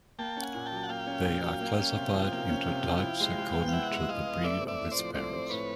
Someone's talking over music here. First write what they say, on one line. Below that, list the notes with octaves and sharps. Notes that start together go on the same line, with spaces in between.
They are classified into types according to the breed of its parents.
A#3 G5 A5
C#4
F#5 G#5
A#2
G5 A5
F#3
F#5
A#3 F5 G5
C#4
A#2
F#3
A#3
C#4
C3
F3
A#3
C#4
C3
F3
E4
G#3
G#3
B3
F5
E4 E5 F#5
G#3
G#3 D#5 F5
B3
A3 D5 E5
C4
D5 E5
A2
C5 D5
F3
A3 C5 D5
C4
A2 B4 C#5